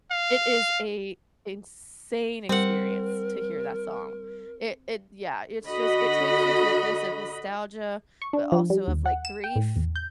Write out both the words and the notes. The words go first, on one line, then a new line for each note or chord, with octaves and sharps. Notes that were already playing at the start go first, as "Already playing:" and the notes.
It is a insane experience to hear that song. It it yeah, it's just it takes you to a place of nostalgia, but also of, like, grief,
F5
G3 C4 A#4 F#5
D3 F#4 D#5 B5
C#6
D4
F3
G3
D#2
F#5
E7
G5
A2
E2
G6